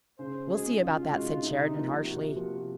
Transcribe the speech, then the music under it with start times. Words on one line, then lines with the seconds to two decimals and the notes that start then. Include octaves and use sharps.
"We'll see about that!" said Sheridan, harshly.
0.19 C#3 C5
0.49 G#3 D#4 F#4 G#4
0.81 C#3 F4
1.12 G#3 D#4 F#4
1.42 C3 D#4
1.74 F3 A#3
2.05 C3 F#4
2.36 F3 A#3